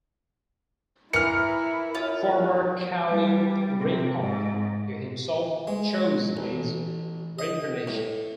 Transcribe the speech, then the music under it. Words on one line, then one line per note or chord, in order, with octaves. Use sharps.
Former kalu rinpoche, he himself choose his reincarnation.
E3 E4 A#4 F6 C#7
F#2 F4
G3
C3
G#2
G#3
A1
D#5
A2